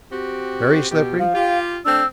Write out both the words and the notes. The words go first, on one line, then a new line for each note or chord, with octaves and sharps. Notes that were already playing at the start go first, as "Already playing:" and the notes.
"Very slippery?"
C4 F#4 G4
B2 G4
F3 F5
F4 G4
A3 C4 D4 E6